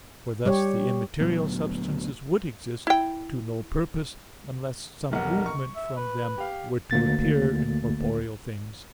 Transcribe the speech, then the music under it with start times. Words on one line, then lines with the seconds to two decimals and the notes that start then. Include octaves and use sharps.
For thus the immaterial substances would exist to no purpose, unless some movement from them were to appear in corporeal things.
0.45 G3 G4 C#5
1.20 D2 A#2 F#3 B3
2.87 E4 G5
5.11 F1 B1 A#4 F#5
5.46 C#6
5.76 E5
5.96 B4
6.38 G4 F5
6.91 D2 A#3 A6